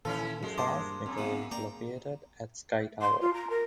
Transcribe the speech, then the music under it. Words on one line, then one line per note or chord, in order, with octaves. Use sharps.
The transmitter is located at Skytower.
A#2 D#3 E3 C#4 E4 F4 A4
F#2 G#3
G2 A#3 C5 A5 C6 D6
F#2 C4
C#3 B3 C4
A#3 D5 G5 A#5
C6
F4
A#5
A#4